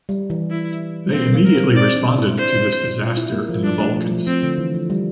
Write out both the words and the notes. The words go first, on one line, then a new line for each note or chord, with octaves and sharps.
They immediately responded to this disaster in the Balkans.
G3
E3
E4
A#3 C4
A#3
A#4
C4
C4 D5
D4
E4
C5
F4
E4
A#3
F3
D4
A3
F3
F3
F3 C4
D3
E3
F3
G3